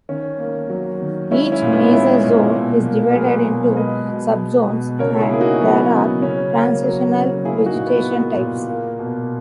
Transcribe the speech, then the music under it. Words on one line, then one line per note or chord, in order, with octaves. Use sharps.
Each major zone is divided into subzones, and there are transitional vegetation types.
D#3 C#4
A#3
F#3
D#3
G#3 C#4 E4
C#4 E4
A#2
B3 D#4
G#3 C#4 E4
A#2
B2
A#3
A#4
F#3 G#4 B4
B2
G#3 B4 D#5
B2
G#3
B2
C#3 A#4 C#5
E4 G#4
A#3 G#4
D#4 F#4
F#3 B3
C#3
C#3 C#4
A#3
F#3
C#3
A#3 E4 G#4
D#4 F#4
A#2
B3
A#3
A#2
A#3
B2